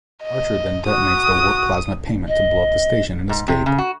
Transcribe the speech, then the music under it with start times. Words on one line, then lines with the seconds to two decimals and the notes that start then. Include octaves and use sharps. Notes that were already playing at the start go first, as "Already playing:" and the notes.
Archer then detonates the warp-plasma payment to blow up the station and escape.
0.24 D#5
0.87 F#4 D#6
2.28 D#5
3.29 G#2
3.48 C3
3.66 C#3
3.78 F#4